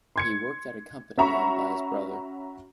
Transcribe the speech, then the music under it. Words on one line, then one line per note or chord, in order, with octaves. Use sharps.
He worked at a company owned by his brother.
C6 G#6 C#7
C#4 F#4 E5 A#5 B5 C#6